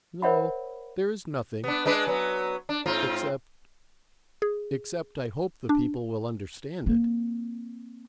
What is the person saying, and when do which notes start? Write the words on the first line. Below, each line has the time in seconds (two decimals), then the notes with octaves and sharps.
"No--there is nothing--except ... except I hope the people will understand it."
0.22 A#4 C5 C#5 E5 F#5 B5
1.64 B3 D4
1.85 G#3 D4 B4
2.07 F#3 B3
2.69 D4
2.86 G#2 C4 F4
4.42 G#4
5.69 D4
6.86 A#3 C4